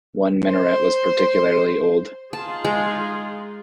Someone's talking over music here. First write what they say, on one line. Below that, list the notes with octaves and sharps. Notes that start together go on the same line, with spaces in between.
One minaret is particularly old.
C5
D#4 F4 G#4 A5
G#3